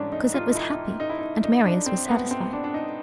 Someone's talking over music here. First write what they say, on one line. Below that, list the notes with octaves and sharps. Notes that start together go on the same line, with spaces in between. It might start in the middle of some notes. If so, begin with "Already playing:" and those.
Cosette was happy, and Marius was satisfied.
Already playing: G#2 E3 G3 C#4 D4
D#4
F4
D#4
E4
D#4
E4
D#4
D#4
D4
C4
B3
C4
D4
D4
D#4